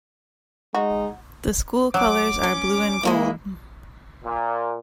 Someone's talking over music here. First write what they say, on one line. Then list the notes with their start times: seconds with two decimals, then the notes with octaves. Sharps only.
The school colors are blue and gold.
0.74 G#3 D#4 F#4
1.94 F#3 D6
2.43 C#4
3.03 G#3 A#3 E4
4.24 A#2